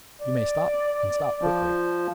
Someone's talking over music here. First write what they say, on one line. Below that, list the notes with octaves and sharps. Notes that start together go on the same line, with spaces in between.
"You may stop, and stop quickly."
D5
F3